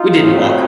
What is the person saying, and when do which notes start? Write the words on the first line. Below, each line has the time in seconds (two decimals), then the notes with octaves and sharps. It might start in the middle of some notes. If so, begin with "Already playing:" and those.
We didn't walk.
Already playing: D#4 F4
0.17 A2 F#3 A3 C4